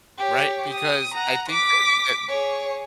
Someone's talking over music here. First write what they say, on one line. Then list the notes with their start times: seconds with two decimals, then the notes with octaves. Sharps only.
Right? Because I think that that
0.19 G4 C#5
0.73 D#6
1.14 F#5 A#5
1.50 D6 B6
2.29 G#4 C#5